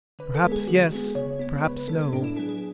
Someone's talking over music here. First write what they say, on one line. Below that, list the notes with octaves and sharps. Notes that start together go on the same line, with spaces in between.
Perhaps yes, perhaps no.
D3 B4
A4
G#3 B3
G#4
D3 F#4
G#3 B3 G#4
C#3 C#5
G#3 B3
C#3 B4
B4
B3 A4
G#3
A4
A2 D4
E4
F#3 B3 G#4
G#4